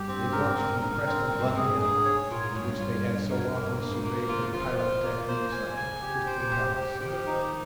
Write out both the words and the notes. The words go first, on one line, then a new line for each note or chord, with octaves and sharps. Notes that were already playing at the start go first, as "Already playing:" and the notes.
They watched from the crest of Bun Hill, from which they had so often surveyed the pyrotechnics of the Crystal Palace.
Already playing: G2 G4
C4
G#2 A#4
G2
G#2 A#4
G2
G#2 A#4
C4
G2 C4
G#2
G2
G#2 G#4
G2
G#2 G#4
C#5
A#2 F4
G#2
G2 C#5
G2
F4
C#5
G2 A#4
F2
G2 A#3
A#2
G2 A#3
G#2
A#2 A#3
C3
D#3 F4
C#3
F3 F4
F3
F4
A#3
C5
G#5
C3
C#3 G#5
G4
C3 C5
A#2
C3 G4
G4
C3
D#3 G4
F3
D#3 D#4